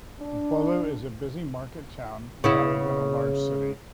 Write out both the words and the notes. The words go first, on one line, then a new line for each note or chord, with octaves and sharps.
Bolu is a busy market town rather than a large city.
D4
C#3 B3 E4